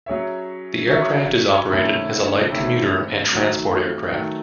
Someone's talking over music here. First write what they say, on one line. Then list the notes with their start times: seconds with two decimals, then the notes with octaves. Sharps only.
The aircraft is operated as a light commuter and transport aircraft.
0.06 F#3 C#4 G#4 C#5 E5
0.87 F#3 C#4 G#4 C#5 E5
1.69 C3 D#3 A3 C#4 E4
2.50 C3 D#3 A3 C#4 E4
3.31 D#3 F#3 A3
4.12 D#3 F#3 A3